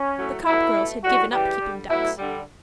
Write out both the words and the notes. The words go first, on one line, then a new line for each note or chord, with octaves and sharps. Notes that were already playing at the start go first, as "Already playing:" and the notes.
The Copp girls had given up keeping ducks . . .
Already playing: C#4
A2 F#3 A3
B2 F#3 A3 E4
B2 A3
A2 G3 F#4
C#3 E3 G3 G4
D3 G3
B2 F#3 A3 E4
D3 G3